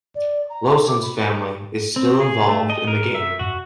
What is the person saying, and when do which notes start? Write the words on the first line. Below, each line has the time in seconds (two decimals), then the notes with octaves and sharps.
Lowson's family is still involved in the game.
0.15 D5
0.50 A#5
0.87 D6
1.03 B5
1.20 B5
1.96 C4
2.20 G#4
2.48 A3
2.70 D#5
2.87 A#4
3.15 E5
3.39 F#4